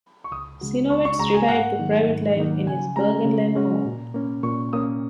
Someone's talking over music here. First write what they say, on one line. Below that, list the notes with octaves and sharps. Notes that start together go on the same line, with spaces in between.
Sinowatz retired to private life in his Burgenland home.
C#6
C#2 D#6
C#3 G#3 F#4
C#2 C#6
C#6
C#3 G#3 F#4 A#5
G#5
G#2 F#5
D#3 F#3 A#3 D#4
G#2
D#3 F#3 A#3 D#4
C#3 G#5
G#3 C#4 F#4 A#5
C#3
G#3 C#4 F#4
A#2
A#3 C#4
A#2 C#6
A#3 C#4 D#6